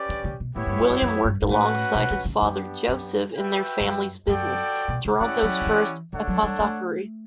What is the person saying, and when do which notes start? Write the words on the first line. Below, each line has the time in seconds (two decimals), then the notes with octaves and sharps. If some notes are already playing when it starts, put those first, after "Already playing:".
William worked alongside his father Joseph in their family's business - Toronto's first apothecary.
Already playing: C#4 G4 B4 D5
0.09 D3
0.24 C#3
0.40 B2
0.55 A2 B3 E4 G4 C#5
0.67 G2
0.79 F#2
0.90 F#2
1.02 F#2
1.25 G2
1.42 G2
1.49 A2 C#4 F#4 B4 F#5
1.95 B2
2.11 D3
2.25 C#3
2.41 F#2 B3 D4 G4
2.88 F#2
3.34 F#4 B4 E5 G5
3.80 F#2
4.27 F#2 F#4 A4 D5 G5
4.88 B2
5.05 C#3
5.20 D3 C#4 E4 G4 D5 F#5
5.43 F#3
5.61 D3
5.66 E3
6.13 D3 D4 A4 C#5 F#5
6.28 F#3
6.43 G3
6.59 A3